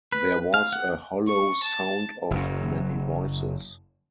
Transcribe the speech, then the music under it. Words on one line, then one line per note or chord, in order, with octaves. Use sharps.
There was a hollow sound of many voices.
B4
F5
F#5
C#6
A5
F#1 F#2